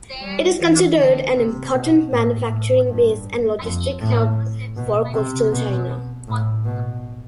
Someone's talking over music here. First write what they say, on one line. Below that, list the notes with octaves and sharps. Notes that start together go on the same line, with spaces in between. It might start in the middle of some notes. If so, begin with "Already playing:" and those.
It is considered an important manufacturing base and logistics hub for coastal China.
G3
E3
D3
C3
B2
A2
A2
G2
F2
A2
B2
C3
B2
A2
B2